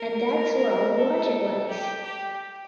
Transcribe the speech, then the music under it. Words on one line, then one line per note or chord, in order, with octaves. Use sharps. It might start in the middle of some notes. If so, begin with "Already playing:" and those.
And that’s where all the logic lies!
Already playing: A#4
A4
G4
G4